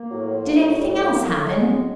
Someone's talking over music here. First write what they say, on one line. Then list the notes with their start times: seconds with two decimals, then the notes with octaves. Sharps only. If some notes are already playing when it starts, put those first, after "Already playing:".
"Did anything else happen?"
Already playing: A#3
0.10 A2 F#3
0.33 F3
0.45 A2
0.56 F#3
0.78 F#3 G3
0.96 A3
1.13 F#3 A#3
1.29 A3
1.46 A2 G#3